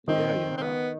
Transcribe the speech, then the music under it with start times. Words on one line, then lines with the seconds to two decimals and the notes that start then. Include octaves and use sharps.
Yeah, yeah.
0.08 D#3 C4 D#4
0.57 C4
0.62 B3